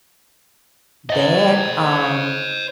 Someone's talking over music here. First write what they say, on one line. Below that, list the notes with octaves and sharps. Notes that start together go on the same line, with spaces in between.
dad, um
C5 D#5